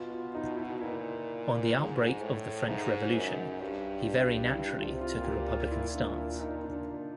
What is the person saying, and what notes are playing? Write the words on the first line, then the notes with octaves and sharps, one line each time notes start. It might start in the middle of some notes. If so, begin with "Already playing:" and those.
On the outbreak of the French Revolution he very naturally took a Republican stance.
Already playing: B2 F4
F4
D#4
E4
A#2 E4
G#2
A2
G#2 D#4
F#2
G2
G2 E4
F4
C3
F4
A#2
G4
F4
E4
D4
D#4
D4